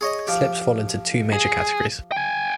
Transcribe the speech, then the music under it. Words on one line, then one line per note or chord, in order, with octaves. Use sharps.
Slips fall into two major categories.
G#4 C#5 D#5
F3 G4
G#4
G5 G#5